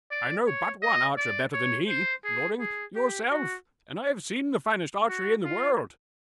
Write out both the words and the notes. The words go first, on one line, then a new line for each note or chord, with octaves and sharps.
"I know but one archer better than he, lording--yourself; and I have seen the finest archery in the world."
D5
C#5
D#5
D5
C#5
C5
G#4
G#4
G4
F#4
F#4
F4